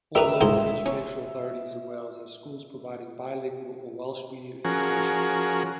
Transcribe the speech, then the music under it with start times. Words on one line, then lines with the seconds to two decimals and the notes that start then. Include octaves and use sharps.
All local education authorities in Wales have schools providing bilingual or Welsh-medium education.
0.15 G4 A#4 B4 E5
0.41 C2 G#2 C5
0.86 C#4
4.65 F3 C#4 F#4 G#4 A#4